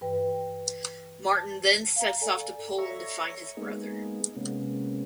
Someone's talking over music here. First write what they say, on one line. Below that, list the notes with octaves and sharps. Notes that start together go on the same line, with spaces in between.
Martin then sets off to Poland to find his brother.
G2 E3 B4 G5
A5
F5 A#5
A4 D5 G#5
C#5 E5 A#5 C#6
G#3 A#3 B3 D#4 G#4
C3 G#3 A#3 B3 C#4